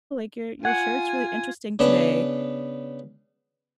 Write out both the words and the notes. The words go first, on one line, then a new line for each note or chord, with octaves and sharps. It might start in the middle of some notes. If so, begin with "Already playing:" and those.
like your your shirt's really interesting today."
F4 F#5 G#5 G#6
C#3 B3 D4